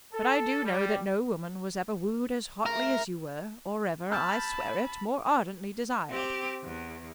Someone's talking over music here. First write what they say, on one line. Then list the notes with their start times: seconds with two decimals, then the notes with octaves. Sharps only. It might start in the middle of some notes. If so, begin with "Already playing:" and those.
But I do know that no woman was ever wooed as hotly as you were--or ever--I swear it--more ardently desired.
0.13 A4
0.64 G3
2.66 A2 C#3 A#4 C6
4.11 A5 B5 E6 F6 G6
6.10 C4 G4
6.64 E2